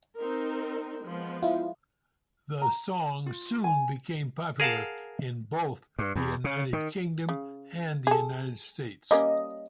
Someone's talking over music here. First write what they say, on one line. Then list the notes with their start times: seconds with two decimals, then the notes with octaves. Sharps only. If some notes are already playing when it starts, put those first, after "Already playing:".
The song soon became popular in both the United Kingdom and the United States.
0.16 C4 D#4 A#4
1.03 F3 G#3 B3
1.43 E4 F4
2.62 A#5
3.26 F4
3.64 G#5
4.60 G#4 A#4 F5 F#5 A5
5.99 G2
6.16 E2
6.44 C#3
6.73 D#3
7.29 C#3
8.07 G#4 A4
9.11 G3 A#3 C#4 D#5